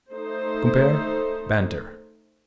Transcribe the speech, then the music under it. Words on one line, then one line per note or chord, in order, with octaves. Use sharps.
Compare BANTER.
A3 D#4 C5